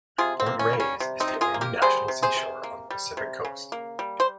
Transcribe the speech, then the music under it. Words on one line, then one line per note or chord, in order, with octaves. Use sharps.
Point Reyes is the only national seashore on the Pacific coast.
C3 F4 G#4
C4
A#3
C#4
G3
C#4
C3
C4 D#4
C3
F4 G#4
A#3
G4 A#4
G3 G#4 C5
C3
G#4 C5
C3
A#3
G3
C3
C#3
A#3
G3
C5